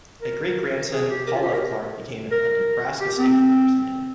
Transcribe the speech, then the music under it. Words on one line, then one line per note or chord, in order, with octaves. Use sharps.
A great-grandson, Paul F. Clark, became a Nebraska State Representative.
A#4
G#4
G4
A#4
F4
G4
A#4
A#4
G4
C4